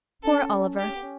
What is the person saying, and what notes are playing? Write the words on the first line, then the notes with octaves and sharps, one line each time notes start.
Poor Oliver!
C#4 A4
D4 G4
C#4
B3
C#4